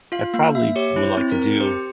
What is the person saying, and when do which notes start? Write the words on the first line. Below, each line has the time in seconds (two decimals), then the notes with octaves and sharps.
I probably would like to do
0.12 F4 F5
0.34 A#3 F5
0.55 A#3 E5
0.76 G4 C#5
0.96 E4
1.03 C5
1.17 C4
1.32 A#4
1.39 C4
1.60 G4 C5